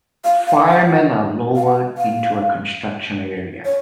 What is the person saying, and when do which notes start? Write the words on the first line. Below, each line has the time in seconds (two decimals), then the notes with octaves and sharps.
Firemen are lowered into a construction area.
0.24 F5
0.47 F5
0.70 F#5
1.55 F5
1.63 F#5
1.98 F5
3.65 C#5